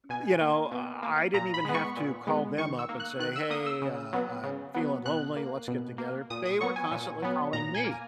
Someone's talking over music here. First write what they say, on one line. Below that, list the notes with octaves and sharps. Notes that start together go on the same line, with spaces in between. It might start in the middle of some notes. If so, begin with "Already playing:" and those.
you know, I didn't even have to call them up and say, "Hey, uh, I'm feeling lonely, let's get together," they were constantly calling me.
B2 G#5
A#3
B2
A#3
A#2 A#5
B5
G#3 B3
C#6
A#2
G#3 B3
D#3 C#6
E6
A#3
F#6
D#3 F#6
E6
A#3 D#6
E6
C#3
F#3 B3
C#3
F#3 B3
B2 F#6
A#3
B2
A#3
A#2 D#6
D#6
F#3 B3 C#6
G#5
A#2
F#3 B3
A#2 A#5
G#5
A#3